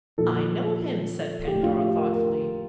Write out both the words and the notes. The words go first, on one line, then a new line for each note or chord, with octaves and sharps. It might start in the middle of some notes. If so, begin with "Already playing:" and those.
"I know him," said Pandora, thoughtfully.
A#2 F3 A4
A2 F3 G4
F4
F4
G4
A#4
A#4